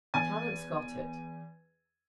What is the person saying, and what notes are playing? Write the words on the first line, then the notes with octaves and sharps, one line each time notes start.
"Talent's got it."
E2 G#5 A6